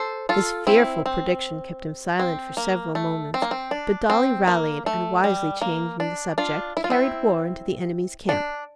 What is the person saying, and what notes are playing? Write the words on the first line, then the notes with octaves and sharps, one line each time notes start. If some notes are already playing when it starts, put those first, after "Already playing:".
This fearful prediction kept him silent for several moments; but Dolly rallied, and wisely changing the subject, carried war into the enemy's camp.
Already playing: A4 C5
F4 A4
C4 E4
C4
C4
A#3
A3
C4
A#3
C4
D4
C4
A#3
A3
G3
A#3
D4
D4 F4
E4
F4
C4 E4
D4